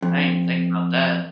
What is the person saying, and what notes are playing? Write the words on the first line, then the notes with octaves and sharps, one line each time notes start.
I didn't think about that.
F2